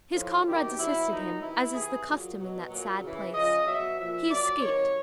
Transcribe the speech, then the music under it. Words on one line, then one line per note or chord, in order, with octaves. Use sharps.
His comrades assisted him, as is the custom in that sad place. He escaped.
A2 F3
C3 D#3 F#3 G4
B2 F#3 E4
A#2 F#3 D#4
C3 E3 E4
C3 E3 G#4
A#2 F#3
B2 F#3
A#2 F#3
C#3 E3
C#3 F3 D#5
B2 F#3 E5
A#2 F3 E5
A#2 F#3 D5
C3 D#3 F#3 C#5